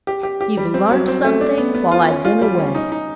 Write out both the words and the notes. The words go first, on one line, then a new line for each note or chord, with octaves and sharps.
'You've learnt something while I've been away.
G4
G4
G4
G3
C4
F#3
C4
A3
D4
B3
B3
F4
C#4
F4
G3
C#4
D#4
D#4